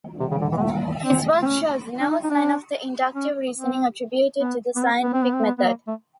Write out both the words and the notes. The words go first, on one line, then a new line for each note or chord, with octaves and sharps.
His work shows no sign of the inductive reasoning attributed to the scientific method.
C3
C#3
D3
E3
G#3
A3
C4
C4
C#4
D4
D#4
D#4
D4
C#4
C4
B3
B3
C4
B3
C4
B3
C4
B3
B3
A#3
A3